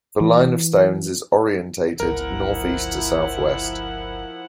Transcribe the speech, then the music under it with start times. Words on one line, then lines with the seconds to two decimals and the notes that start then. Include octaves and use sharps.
The line of stones is orientated north-east to south-west.
0.21 E3
2.00 G1 C#2 F3 E4 A#4 F#5